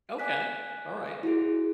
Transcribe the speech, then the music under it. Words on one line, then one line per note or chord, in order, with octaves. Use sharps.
Okay. Alright.
D5 G#5 F#6 B6
E4 F#4 G#4